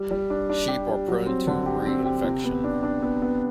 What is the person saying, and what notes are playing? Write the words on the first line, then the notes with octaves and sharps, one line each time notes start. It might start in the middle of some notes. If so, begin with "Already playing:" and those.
Sheep are prone to reinfection.
Already playing: G3
G3
D4
D4
G4
G3
F#3
C4
D3
G4
C4
G4
C3
B3
D4
D4
B3
B3